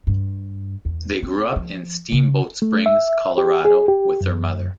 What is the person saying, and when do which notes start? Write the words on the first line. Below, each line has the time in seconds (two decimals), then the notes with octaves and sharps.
They grew up in Steamboat Springs, Colorado with their mother.
0.07 G2
0.85 E2
1.23 C4
1.56 F3
2.12 C#3
2.62 A3
2.86 E5
3.38 G4
3.65 G#4
3.88 G4
4.21 F#2